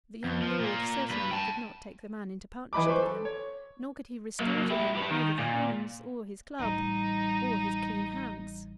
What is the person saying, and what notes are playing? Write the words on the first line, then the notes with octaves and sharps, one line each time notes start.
The young Lord certainly could not take the man into partnership again, nor could he restore to him either the hounds or his club,--or his clean hands.
F2
F3
A#2 A#3
G2 B4
G5 A5
E3 D#5 B5 D6
B4 C5 C#6
A4
C#5
F#3 A#3
E4 G4
G4 B4
D#3
A#2
A1 G3 D#4